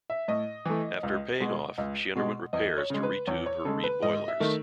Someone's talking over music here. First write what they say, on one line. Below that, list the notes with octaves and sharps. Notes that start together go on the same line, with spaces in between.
After paying off, she underwent repairs to re-tube her Reed boilers.
E5
A2 D#5
E3 A3
C#2
B2 G#3
C#2
B2 G#3
E2 D#5
C#5
C#3 G#3
B4
E2 C#5
C#5
C#3 G#3 A4
B4
G#2 D#5
E5
D#3 A3